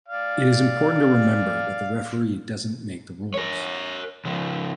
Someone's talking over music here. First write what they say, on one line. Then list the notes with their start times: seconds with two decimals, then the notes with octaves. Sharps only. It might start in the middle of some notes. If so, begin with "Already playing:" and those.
It is important to remember that the referee doesn't make the rules.
0.08 D5 F5
3.34 A#4 C#5
4.25 C#3 F3